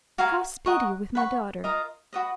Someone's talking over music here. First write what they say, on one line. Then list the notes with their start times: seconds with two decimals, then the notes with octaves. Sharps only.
"How speed you with my daughter?"
0.18 F#4 A#4 F5 G#5
0.66 A#4 D#5 F#5 C#6
1.15 B4 F#5 C#6
1.64 F4 A#4 D#5 A#5
2.13 F#4 B4 D#5